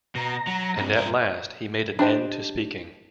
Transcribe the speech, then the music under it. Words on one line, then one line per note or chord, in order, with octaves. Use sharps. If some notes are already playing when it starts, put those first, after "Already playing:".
And at last he made an end to speaking.
B2 A#5
F#3
G2 C3
G2 A#4
D4 G4 C5 D#5